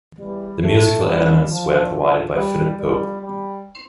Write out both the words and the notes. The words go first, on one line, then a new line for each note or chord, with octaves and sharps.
The musical elements were provided by Philip Pope.
E2 E3 G3
A3
C#2 C#3 F3 G3
F3
G2 D3 F3
G3
E2 D3 F3 G3
G3